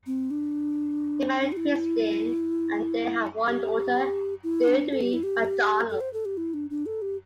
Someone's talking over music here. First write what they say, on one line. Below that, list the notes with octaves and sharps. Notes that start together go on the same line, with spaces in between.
He married Christine and they had one daughter, Deirdre MacDonald.
C4
D4
D4
G4
E4
G4
E4
D4
A4
G4
E4
G4
A4
C5
A4
G4
E4
D4
D4
A4
G4